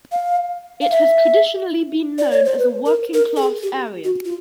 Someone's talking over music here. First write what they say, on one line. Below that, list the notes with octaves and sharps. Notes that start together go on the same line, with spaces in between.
It has traditionally been known as a working-class area.
F5
F5
E5
D5
C#5
C5
B4
A#4
A#4
A4
G#4
G4
F#4
F4